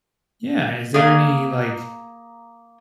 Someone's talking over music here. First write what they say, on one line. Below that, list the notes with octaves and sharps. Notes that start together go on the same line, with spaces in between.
Yeah, is there any, like,
A#3 G#4